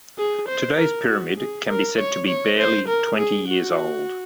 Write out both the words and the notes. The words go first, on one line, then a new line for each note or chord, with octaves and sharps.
Today's pyramid can be said to be barely twenty years old.
G#4
C5
A#4
F#4
G#4
A#4
C#5
C#5
C5
A#4
G#4
F#4